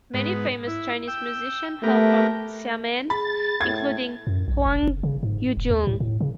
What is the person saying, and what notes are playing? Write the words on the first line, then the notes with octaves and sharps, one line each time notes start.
Many famous Chinese musicians hail from Xiamen, including Huang Yujun.
G#2 B3
E4
G5 E6
A3 B3 G4 A#4
G#4 B5 A6
A2 G#6
F#2
A#1
F1
F#1
C#3
G#2
E1
D#2
A2
A2
C#3